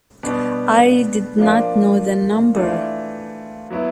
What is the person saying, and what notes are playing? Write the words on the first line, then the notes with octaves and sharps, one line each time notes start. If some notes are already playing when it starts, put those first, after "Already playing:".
I did not know the number.
B2 G3 B3 D4
F3 A#3 D4 F4
E3 A3 D4 F4
F#3 B3 E4